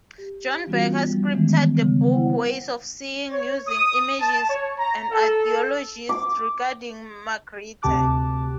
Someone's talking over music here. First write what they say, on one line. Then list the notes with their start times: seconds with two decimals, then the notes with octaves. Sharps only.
John Berger scripted the book "Ways of Seeing" using images and ideologies regarding Magritte.
0.18 G4
0.67 E3 G3 B3 C#4 F4 F#4
1.07 F3 G3
1.34 D#3 E3 G#3 B3 C#4
1.75 C#3 G3 B3
2.12 E4 C5 F#5 G5
3.32 C#5
3.68 D#6
4.20 A5
4.50 C#5
4.79 A#5
5.11 A4
6.09 D6
7.82 D2 C3 G4 A5 D6 F#6